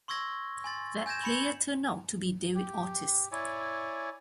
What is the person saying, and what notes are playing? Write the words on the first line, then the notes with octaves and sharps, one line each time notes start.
That player turned out to be David Ortiz.
C6 C#6 E6 G#6 A#6
G#5 C6 A6
G#5 G6 G#6 A#6 E7
B5 C#7 F#7
G4
E4 C#5 D5 G#5